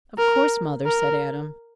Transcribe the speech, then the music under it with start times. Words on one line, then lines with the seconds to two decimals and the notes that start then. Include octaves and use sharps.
"Of course, Mother," said Adam.
0.18 A#4
0.86 A#4